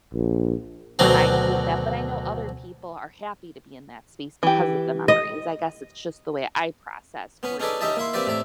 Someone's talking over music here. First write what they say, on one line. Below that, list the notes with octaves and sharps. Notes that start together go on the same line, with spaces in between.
reminds you of that, but I know other people are happy to be in that space because of the memories, I guess it's just the way I process grief.
A#1
D2 B2 D#3 F#3 C4
E3 G4
D#5
B3 C#4 B4
C#4 D#4 G#4 A4 B4 D5
C#4 D#4 G4 D#5 E5 A5
A#3 E4 E5 C6
A#3 C4 G4 B4 D5 E5
A2 C3 D5 E5